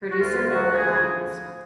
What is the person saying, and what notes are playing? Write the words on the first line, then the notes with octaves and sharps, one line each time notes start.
Producer Robert Lyons.
F#4
D2 F4
F3 F#4
F3 G#4